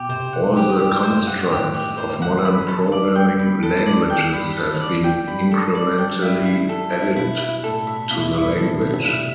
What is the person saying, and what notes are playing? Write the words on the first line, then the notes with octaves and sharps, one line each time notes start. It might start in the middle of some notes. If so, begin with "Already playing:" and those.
All the constructs of modern programming languages have been incrementally added to the language.
Already playing: B2 G4
C3 C5
F#5
G4
G2 G4
F#2 C5
G2 F#5
A2 G4
G4
C5
F#5
G2
F#2 B5
A4
D5
G5
B5
A4
D5
G5
G2 B5
A4
D5
G5
G2 B5
A4
D5
G5
G2 E4
E4
A4
E5
B2 E4
E4
A2 A4
E5
B2 E4
G2 E4
A2 A4
B2 E5
D3
C3 E4